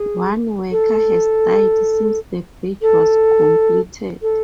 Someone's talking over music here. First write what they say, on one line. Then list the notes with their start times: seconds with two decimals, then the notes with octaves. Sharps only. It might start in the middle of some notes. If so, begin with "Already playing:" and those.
One worker has died since the bridge was completed.
Already playing: G#4
0.71 A4
2.81 A4
4.22 A4